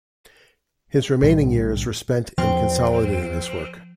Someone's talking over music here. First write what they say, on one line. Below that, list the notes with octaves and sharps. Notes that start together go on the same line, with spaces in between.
His remaining years were spent in consolidating this work.
B1 A2 D3 G3
E2 F3 C4